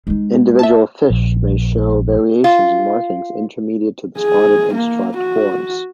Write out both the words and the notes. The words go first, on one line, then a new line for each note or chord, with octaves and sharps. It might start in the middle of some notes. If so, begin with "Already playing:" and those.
Individual fish may show variations in markings intermediate to the spotted and striped forms.
G#3 D#4
E5 A5
A#1
F4
G#4
A#3
F#4